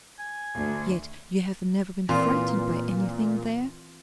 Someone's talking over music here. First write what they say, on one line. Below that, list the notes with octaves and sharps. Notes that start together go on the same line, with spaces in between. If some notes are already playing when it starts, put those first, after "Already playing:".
"Yet you have never been frightened by anything there?"
G#5
D2
A#2 E3 C4 F4